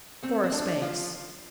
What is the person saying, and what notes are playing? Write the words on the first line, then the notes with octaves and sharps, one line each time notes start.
For a space.
A3 C4
C4
F3 D4
F3 F4